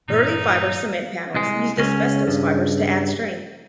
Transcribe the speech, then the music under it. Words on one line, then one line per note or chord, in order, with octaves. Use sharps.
Early fiber cement panels used asbestos fibers to add strength.
G2 A#2 E3 D#4
C2 G#3
C#2 C#3 C#4
G2